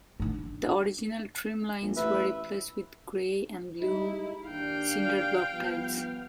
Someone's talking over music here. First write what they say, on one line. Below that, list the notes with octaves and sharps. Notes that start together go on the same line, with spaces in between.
The original trim lines were replaced with gray and blue cinderblock tiles.
D4 D#4
A#1
A1 B4 E5
G3 G#3 D#4 E4
D#2 D4 F5 G5
F3 G3 B3